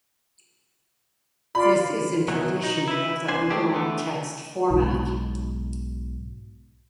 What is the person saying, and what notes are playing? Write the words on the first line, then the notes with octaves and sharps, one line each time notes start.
This is in tradition of the Oberon Text format.
F4 D5 B5
B2 D#3 E3 F#3
D#4
E4 B4
C2 D4 C5 G#5
G#3 A3 D4 G4
E3 A3 B3
B1 G#2